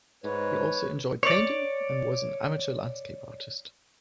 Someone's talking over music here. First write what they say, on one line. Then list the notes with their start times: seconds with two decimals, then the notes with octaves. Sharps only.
He also enjoyed painting and was an amateur landscape artist.
0.24 G#2 B4 C#5
1.23 C#5 D5